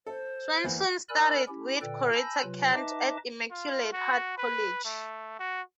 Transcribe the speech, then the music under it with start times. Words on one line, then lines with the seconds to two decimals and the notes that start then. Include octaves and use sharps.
Swanson studied with Corita Kent at Immaculate Heart College.
0.06 A4 C5
0.64 E2 E3 A#3
1.09 A#4 D5 G#5 B5 E6 F#6
1.48 C#4 E4 G4
1.81 A#2 D3 A4 B4 D5 G5
2.13 G#5 A5 B5 E6 G6 A#6
2.42 C3 F#3 F4 B4
2.73 D#4 B4 D#5 E5 A5 D6
3.51 F4
3.93 F#4
4.38 B4
4.85 A3
5.39 F#4